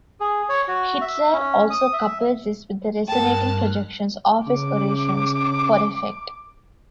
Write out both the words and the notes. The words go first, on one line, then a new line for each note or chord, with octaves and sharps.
Hitler also coupled this with the resonating projections of his orations for effect.
G#4
C#5
F#4
E5
C#4
D#6
E5
G2 A#4 G5 A5 F6 F#6
C#3 D6